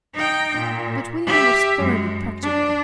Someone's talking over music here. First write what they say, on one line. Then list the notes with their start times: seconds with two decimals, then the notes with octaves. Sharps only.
But William was thoroughly practical.
0.14 D#4 G5
0.58 A#2
1.27 G4 E5
1.78 F#2 G#3
2.42 D4